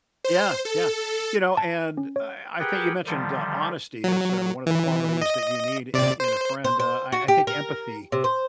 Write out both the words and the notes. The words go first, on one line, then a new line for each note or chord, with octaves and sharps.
Yeah, yeah, you know and I I think you mentioned, uh, honesty is, uh, one of the qualities that you need in in a friend, uh, I I think empathy,
C5
A4
A5
C#4
C#5
G4 G#4 A#4 B4 F#5 G5
D3 D#3 F3 G3
F#3
E3
D#5
C3 D5
C5
C5
C5
F#4
G4
A#4
C3
C5